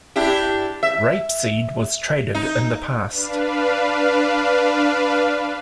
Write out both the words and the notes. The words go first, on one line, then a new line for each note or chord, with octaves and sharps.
Rapeseed was traded in the past.
D4 E4 G4
E5
D#4
D4 B4 F5